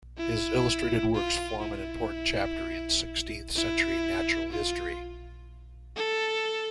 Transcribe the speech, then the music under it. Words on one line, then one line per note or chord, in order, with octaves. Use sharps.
His illustrated works form an important chapter in sixteenth century natural history.
E4
F4
E4
E4
F4
A4